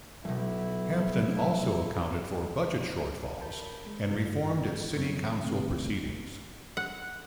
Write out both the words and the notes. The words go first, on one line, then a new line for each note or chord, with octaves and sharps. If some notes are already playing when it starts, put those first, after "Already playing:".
Hampton also accounted for budget shortfalls, and reformed its city council proceedings.
B1 F2 E4
A#4 A5 B5 G6
G#3
G2 C#3 G3 F4
F#2 F#3 C4 C#5
C3 E3
B2 D3 A3 C4
F#5